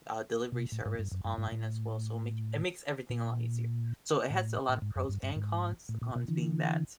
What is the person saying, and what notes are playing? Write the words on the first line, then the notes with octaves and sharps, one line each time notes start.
uh, delivery service online as well, so make it it makes everything a lot easier. So it has a lot of pros and cons, the cons being that
B2
A2
G#2
G2
F#2
G2
G#2
A2
A#2
A2
A2
G#2
F#2
G2
G2
G#2
A2
A#2
B2
D3 E3